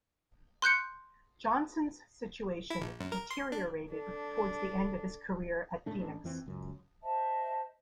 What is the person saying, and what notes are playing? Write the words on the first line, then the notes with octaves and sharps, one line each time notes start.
Johnson's situation deteriorated towards the end of his career at Phoenix.
C6 F#6 G6 C#7
E4
A#1
F#2
A#4
C6
D4
D4 A4
D#1 A2 A3 D4
A1 D4
F2 E3 C4
C#2 F#2
C5 D#5 E5 A5